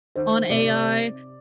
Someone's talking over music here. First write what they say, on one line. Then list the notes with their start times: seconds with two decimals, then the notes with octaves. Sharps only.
on AI,
0.15 D#3 C5
0.50 C3 D5